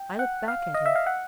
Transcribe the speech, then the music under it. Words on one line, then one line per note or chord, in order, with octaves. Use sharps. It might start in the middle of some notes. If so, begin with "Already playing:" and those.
I looked back at him.
Already playing: G5
F#5
F5
D#5
E5
F5
F#5